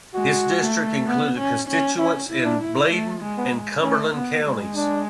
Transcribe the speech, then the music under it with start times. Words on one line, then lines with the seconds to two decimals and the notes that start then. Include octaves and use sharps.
His district included constituents in Bladen and Cumberland counties.
0.14 G#3 F#4
0.61 A3
1.06 B3
1.38 C#4
1.68 C#4
1.99 C#4 E4
2.30 E4
2.45 D4
2.60 E4
2.91 A3
3.21 G#3
3.37 B3
3.52 G#3
3.82 A3 C#4
4.14 B3
4.44 G#3
4.75 D4